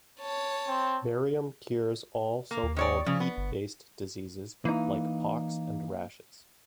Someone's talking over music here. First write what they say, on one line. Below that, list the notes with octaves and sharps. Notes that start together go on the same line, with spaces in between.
Mariamman cures all so-called "heat-based" diseases like pox and rashes.
C#5 A5
C4
A#3
D#2
D#3 C#5 D5
C#3 F3
B3
G1
E3 A#3 D#4